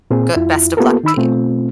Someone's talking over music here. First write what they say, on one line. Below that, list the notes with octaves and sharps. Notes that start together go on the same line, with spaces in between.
Goo Best of luck to you.
A#2 C4 G#4
F2 E4 F4
A#3 B3 F4 G4 A4 A#4
D#3 D#4 B5 E6
B2 A3 C4 F4